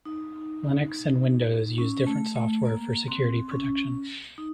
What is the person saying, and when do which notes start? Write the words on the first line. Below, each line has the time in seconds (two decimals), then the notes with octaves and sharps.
Linux and Windows use different software for security protection.
0.05 D#4
1.78 C#4
2.07 A3
2.36 A3
2.65 A#3
3.08 C4
3.51 C#4
4.38 D#4